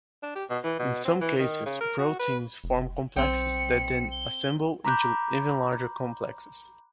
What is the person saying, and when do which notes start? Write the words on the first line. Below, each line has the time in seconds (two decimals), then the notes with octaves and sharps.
In some cases, proteins form complexes that then assemble into even larger complexes.
0.23 D4
0.35 G4
0.50 B2
0.64 E3
0.79 B2
1.05 C4
1.21 E3
1.39 D#3
1.66 C#3
1.81 A#4
1.99 F#4
2.19 B4
2.64 F1
3.17 B1 C4 G5 C#7
4.12 G7
4.85 A#5 B5 D6 F#6 G6